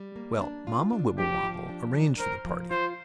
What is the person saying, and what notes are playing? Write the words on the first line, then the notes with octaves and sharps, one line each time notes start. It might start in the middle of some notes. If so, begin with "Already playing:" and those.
Well, Mamma Wibblewobble arranged for the party.
Already playing: G3
A#3
D4
F4
D4
F3 G4
F3
D4
D4
A#4 C5
F3
F4 C5